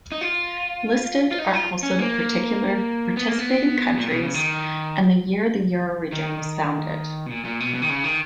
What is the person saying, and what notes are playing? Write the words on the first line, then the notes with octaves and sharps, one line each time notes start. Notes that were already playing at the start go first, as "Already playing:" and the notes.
Listed are also the particular participating countries and the year the euroregion was founded.
D#4
F4
F4
D#4
F4
C#4
A#3
B3
A#3
B3
A#2
B2
C#3
D#3
D#3
B2
A#2
A#2
B2
B2
D#3
C#3
D#3